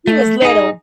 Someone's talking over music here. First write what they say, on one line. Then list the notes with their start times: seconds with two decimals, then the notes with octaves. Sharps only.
He was little.
0.07 A3
0.42 D#4 G#4